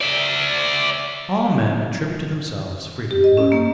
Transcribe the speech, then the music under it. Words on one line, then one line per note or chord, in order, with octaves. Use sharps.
All men attribute to themselves freedom of will.
D5 E5
G4
D#5
C#4
A#3